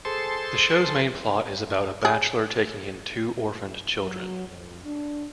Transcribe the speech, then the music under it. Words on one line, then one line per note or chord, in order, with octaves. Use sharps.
The show's main plot is about a bachelor taking in two orphaned children.
G#4 A4 C5 A5 C6
G#4
F#3
F2
D4